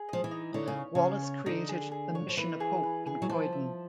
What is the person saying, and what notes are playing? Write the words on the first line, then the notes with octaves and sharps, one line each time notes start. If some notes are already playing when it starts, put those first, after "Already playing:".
Wallis created the "Mission of Hope" in Croydon.
Already playing: G#4
F3 D#5
E3
D#4
D3 C#5
C#3
C#5
C#3
G#4
C#5
D3 D#4
G#4
G#4
C#5
F3
E3 B4
G#4
B4
G#4
F#3
F3 A5
E5